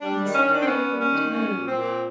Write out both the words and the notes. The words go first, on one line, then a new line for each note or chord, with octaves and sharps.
He's a queer old man.
G3 D4
D#3
C#4
D#3
D4
C4
B3 C#4
G3
C#4
D#3
F#3 C#4
A#2
C4
A#2